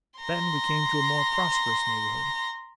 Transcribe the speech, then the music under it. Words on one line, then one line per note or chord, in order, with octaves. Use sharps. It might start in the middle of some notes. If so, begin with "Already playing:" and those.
Then we came to a more prosperous neighborhood.
A#5 C6